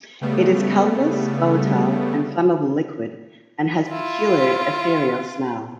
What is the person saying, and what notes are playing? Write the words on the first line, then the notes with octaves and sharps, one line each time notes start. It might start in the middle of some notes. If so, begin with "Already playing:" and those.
It is colorless, volatile, and flammable liquid and has peculiar ethereal smell.
C#3 G3 A3 B3
E4 F4